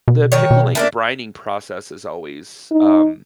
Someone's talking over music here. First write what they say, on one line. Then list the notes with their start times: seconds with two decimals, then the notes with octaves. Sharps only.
The pickling brining process is always, um,
0.08 B2
0.32 D#3 C#5
0.51 B2
0.75 A3 A#3 D4
2.71 D#4